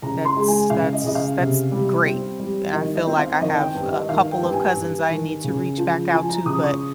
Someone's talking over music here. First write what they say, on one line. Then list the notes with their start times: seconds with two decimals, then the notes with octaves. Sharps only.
that's that's that's great, and I feel like I have a couple of cousins I need to reach back out to, but
0.02 C#3 A#5
0.25 C6
0.37 G#3
0.48 G#5
0.70 C#3 F5
0.93 D#5
1.04 C#3 D#5
1.15 F5
1.38 C3
1.72 G3
2.05 C4
2.40 G3
2.73 D#3 D#5
2.95 D#5
3.07 C4
3.18 F5
3.41 D#3 D#5
3.59 G5
3.75 G2
3.92 D#5
4.09 D#3 F5
4.32 G5
4.43 G2
4.54 G#5
4.77 G2
5.10 D#3
5.44 C#3
5.78 F3
6.12 F3 G#5
6.29 A#5
6.46 C#3 D#6
6.63 C#6